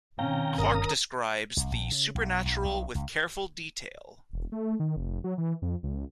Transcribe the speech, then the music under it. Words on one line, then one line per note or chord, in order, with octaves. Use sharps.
Clarke describes the supernatural with careful detail.
B2 D#3 C4 C#4 F5 G5 A#5
G1 A#4 A#5 D#6
C2
A#1
C#3
B1
B1
B1
C#2
E1
A3
D#3
F1
F#3
E3
F2
C#2